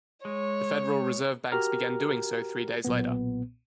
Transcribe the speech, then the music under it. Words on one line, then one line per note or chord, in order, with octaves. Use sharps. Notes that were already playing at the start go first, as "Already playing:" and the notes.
The Federal Reserve banks began doing so three days later.
G#3 C#5
F#4 G4 A#4 A#5 F6
B1 A#2 B3